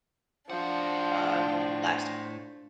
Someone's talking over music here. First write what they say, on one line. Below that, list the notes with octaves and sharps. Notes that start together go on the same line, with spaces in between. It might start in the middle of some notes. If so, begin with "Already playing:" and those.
um, lasting?
A2 F3 D4 C5 F#5